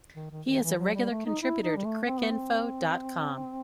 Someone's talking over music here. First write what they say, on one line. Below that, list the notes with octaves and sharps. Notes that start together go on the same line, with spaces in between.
He is a regular contributor to Cricinfo dot com.
D#3
D#3
D#3
E3
F#3
G3
A3
D#4
E4
D#4
G3
A3
C4
B3
C4